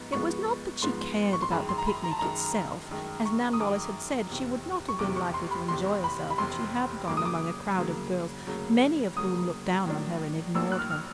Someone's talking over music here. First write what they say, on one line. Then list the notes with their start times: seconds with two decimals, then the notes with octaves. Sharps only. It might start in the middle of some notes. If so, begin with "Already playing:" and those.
It was not that she cared about the picnic itself: as Nan Wallace had said, she would not have been likely to enjoy herself if she had gone among a crowd of girls many of whom looked down on her and ignored her.
Already playing: G#2 F3 B3
0.12 G#2 F3 G#3 B3 C#6
0.82 G#2 F3 G#3 B3 C6
1.33 C#6
1.42 C6
1.51 F#2 D#3 G#3 B5
1.69 C6
1.78 A#5
1.87 B5
2.04 A#5
2.11 A5
2.19 F#2 D#3 G#3 A#5
2.91 F#2 D#3 G#3
3.26 C#6
3.53 D#6
3.60 F#2 D#3 G#3 D6
4.29 F1 E2 C3
4.89 C#6
4.99 F1 E2 C3 D6
5.16 C#6
5.34 C6
5.51 B5
5.68 F1 E2 C3 C6
6.04 B5
6.30 B5
6.38 F1 E2 C3 C6
7.07 D2 C#3 F#3 A#3 D6
7.17 D#6
7.25 D6
7.77 D2 C#3 F#3 A#3
8.46 D2 C#3 F#3 A#3
9.16 D2 C#3 F#3 A#3 D#6
9.85 A#1 A2 F#3 A#3 D4
10.55 A#1 A2 F#3 A#3 D4 E6
10.72 F#6
10.79 F6
10.91 F6